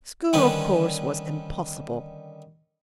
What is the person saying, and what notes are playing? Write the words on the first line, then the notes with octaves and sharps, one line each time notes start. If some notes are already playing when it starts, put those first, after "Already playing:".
School, of course, was impossible.
D3 D#3 G3 C4 C#4 B4